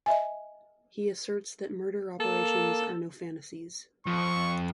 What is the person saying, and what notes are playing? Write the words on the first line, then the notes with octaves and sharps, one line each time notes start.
He asserts that murder operations are no fantasies.
D#5 E5 G#5
A#3 A4
F2 C#6